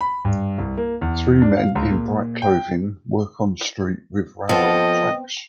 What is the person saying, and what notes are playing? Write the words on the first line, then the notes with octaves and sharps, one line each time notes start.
Three men in bright clothing work on street with railroad tracks.
B5
G2
C2
A#3
E2
D4
F5
C#2
A#2
G5
F3 B3 C4 A4 D#5